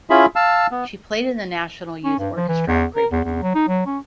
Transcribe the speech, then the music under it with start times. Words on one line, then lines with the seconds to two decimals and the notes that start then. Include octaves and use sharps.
She played in the National Youth Orchestra of Great Britain.
0.10 C#4 E4 F4 G#4 E5 B5
0.36 F5 A5 E6
0.71 B3
2.04 C#4
2.19 G2
2.35 F3
2.49 E3
2.67 E2
2.96 A#4
3.12 E2
3.24 E2
3.42 F#3
3.55 D#4
3.68 F#3
3.87 C#4